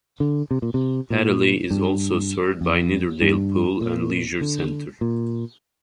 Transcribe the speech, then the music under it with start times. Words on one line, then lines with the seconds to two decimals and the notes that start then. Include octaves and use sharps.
Pateley is also served by Nidderdale Pool and Leisure Centre.
0.20 D3
0.51 C3
0.62 A#2
0.74 C3
1.10 A#2
1.71 G2
2.61 F2
3.21 G2
3.81 A#2
4.41 D3
5.01 A#2